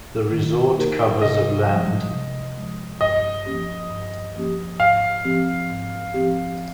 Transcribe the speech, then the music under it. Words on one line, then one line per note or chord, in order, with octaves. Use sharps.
The resort covers of land.
D#3
A#3 D#4 A#4
C3 D#5
F3 G#3
C3
F3 G#3
G2 D#5
F3 A#3 C#4 G4
G2
F3 A#3 C#4 G4
G#2 F5
F3 C4 G4
G#2
F3 C4 G4